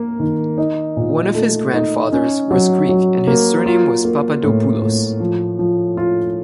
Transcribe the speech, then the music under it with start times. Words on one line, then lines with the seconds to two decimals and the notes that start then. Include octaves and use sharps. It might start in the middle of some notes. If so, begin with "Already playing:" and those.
One of his grandfathers was Greek and his surname was Papadopoulos.
Already playing: A#3 A#4
0.20 D#3
0.58 D#4
0.97 A#2
1.35 A3
1.73 D#4
2.12 C#4
2.51 F#3
2.89 F#3
3.27 A#3
3.66 F4
4.05 A#3
4.43 A2
4.82 A2
5.20 F3
5.59 F3
5.97 F4